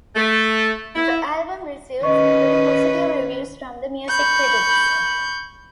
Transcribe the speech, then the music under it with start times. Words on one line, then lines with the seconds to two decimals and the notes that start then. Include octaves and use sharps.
The album received generally positive reviews from music critics.
0.16 A3
0.95 E4
2.03 D#3 C#4 B4 D#5 C#6
4.09 B5 C#6 G6